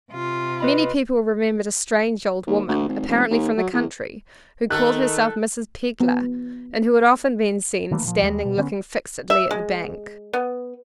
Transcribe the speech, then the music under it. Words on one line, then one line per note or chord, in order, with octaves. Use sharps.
Many people remembered a strange old woman, apparently from the country, who called herself "Mrs. Pegler," and who had often been seen standing looking fixedly at the bank.
C3 F4
B4 D#5 B5
D#2
D2
G#1
F1
D#2
F#3
E2
D#3 A3 A4 F#6
B3
D#3 E3 A3 A#3
A#2 F3
D#2 G3 G#3
B2
D3 B3 C#4
E5
G#3
B3